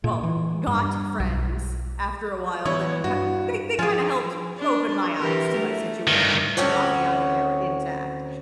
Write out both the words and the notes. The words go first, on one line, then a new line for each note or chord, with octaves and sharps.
Well, got friends after a while that had ki they they kinda helped open my eyes to my situation and got me out of there intact.
A#2
E3
G2
B1
E3 B3 E4 C#5
G2 F#4
F3 F4 G#4 G#5
D4
E3 G4 A#4
A3
G2 D#3
D2 C4 C#4 C#5 F#5